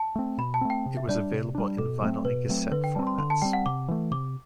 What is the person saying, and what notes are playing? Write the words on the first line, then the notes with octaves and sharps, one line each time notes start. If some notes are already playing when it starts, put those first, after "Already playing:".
It was available in vinyl and cassette formats.
Already playing: A5
A3 C4
B2 B5
A5
A3 C4
G5
C3
E5
G3 D4 D5
C3
G3 D4
B2 A4
F#3 A3 C4
B2 B4
F#3 A3 C4
D3 B4
G5
G3 C4 A5
C6
D3 C6
A5
G3 C4 G5
F#5
C3 D6
E3 A3
C3 D6